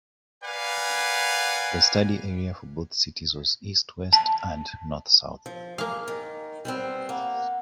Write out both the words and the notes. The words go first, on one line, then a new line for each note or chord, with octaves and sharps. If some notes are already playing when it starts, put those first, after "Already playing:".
The study area for both cities was East-West and North-South.
A#4 B4 D5 F5 F#5 G#5
A5
F3
A#3 G#4 F5
D#3
G3 B3 C4
A#3 F#5